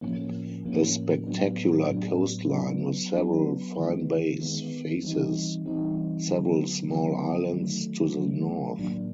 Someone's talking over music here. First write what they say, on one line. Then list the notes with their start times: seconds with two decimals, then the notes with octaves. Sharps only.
A spectacular coastline with several fine bays faces several small islands to the north.
0.01 A2 F3 A#3 C#4
0.65 A2 F3 A#3 C#4
1.26 A2 F#3 B3 D4
1.89 A2 F#3 B3 D4
2.51 F#3 B3 D4
3.14 F#3 B3 D4
3.77 D#3 G#3 B3
4.40 D#3 G#3 B3
5.03 E3 G3 C4 D#4
5.65 E3 G3 C4 D#4
6.28 D3 F#3 B3
6.90 D3 F#3 B3
7.53 D#3 F#3 A3
8.16 D#3 F#3 A3
8.78 A2 F#3 A#3 D4